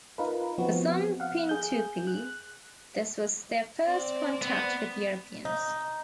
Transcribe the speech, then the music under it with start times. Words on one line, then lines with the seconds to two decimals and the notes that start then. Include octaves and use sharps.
For some Pintupi, this was their first contact with Europeans.
0.18 D#4 F4 A#4 B4
0.58 F3 B3 C4 F#4
1.20 F5 F#5
1.49 G#4 G6
2.07 F#6
3.84 C4 D5
4.42 B3
5.45 D#4